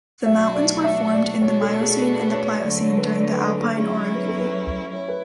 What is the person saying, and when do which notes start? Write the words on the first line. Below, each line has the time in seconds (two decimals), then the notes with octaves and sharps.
The mountains were formed in the Miocene and the Pliocene during the Alpine orogeny.
0.25 B2 F#3 A3 D4 F#4 E5
0.55 D5
0.84 E5
1.13 D5
1.42 B2 A3 D4 F#4 C#5
1.61 A4
1.81 G#4
2.01 B4
2.21 B4
2.30 C#5
2.59 D3 F#3 A3 D5
2.78 C#5
2.97 B4
3.18 D5
3.32 B4
3.47 A4
3.62 A4
3.75 F#3 C#4 E4 G#4
3.96 G#4
4.15 B4
4.27 A4
4.40 B4
4.92 E4 C#5
5.08 B4